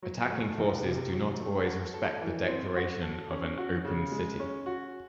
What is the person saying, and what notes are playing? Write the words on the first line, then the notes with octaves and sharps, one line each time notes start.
Attacking forces do not always respect the declaration of an "open city".
F#3
A3
C2
C3
F#3
A3
F#4
A4
E3
C4
F#4
A4
C#4
F#4
C#3
G#3
C#4
F#4